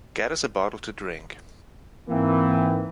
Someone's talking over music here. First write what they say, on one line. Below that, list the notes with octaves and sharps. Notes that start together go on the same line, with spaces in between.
Get us a bottle to drink.
G#2 E3 A#3 C4